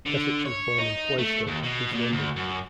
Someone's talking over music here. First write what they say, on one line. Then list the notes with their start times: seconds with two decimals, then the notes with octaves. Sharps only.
Essex was born in Plaistow, east London.
0.06 D3
0.46 C#5
0.78 D#4
1.18 A3
1.47 D#2
1.63 B2
1.93 A#2
2.12 D2
2.36 F#2